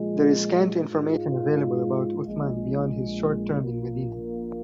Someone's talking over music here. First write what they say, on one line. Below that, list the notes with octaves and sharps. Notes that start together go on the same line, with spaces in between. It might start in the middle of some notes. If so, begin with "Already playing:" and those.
There is scant information available about Uthman beyond his short term in Medina.
Already playing: A#2 F3 G#3
G#2 G#3 F4
A#1 A#2 G#3
A#1 A#2 A#3